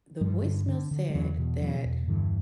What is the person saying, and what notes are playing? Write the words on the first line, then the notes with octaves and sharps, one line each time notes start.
The voicemail said that
G2 F3 G3
D3
D3
D3
G3
E2 E3 F#3
B2
B2 E3 F#3
E2
G2 D3 E3